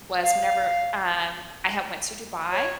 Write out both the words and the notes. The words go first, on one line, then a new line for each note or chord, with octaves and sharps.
was whenever um, I had went to Dubai,
F5
C#5